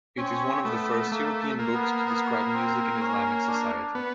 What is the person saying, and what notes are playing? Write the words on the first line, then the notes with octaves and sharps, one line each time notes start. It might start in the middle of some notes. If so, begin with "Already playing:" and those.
It is one of the first European books to describe music in Islamic society.
C4 C#4
A3 B3
A3 A#3
A#3
B3
B3
C4
C#4
D4
B3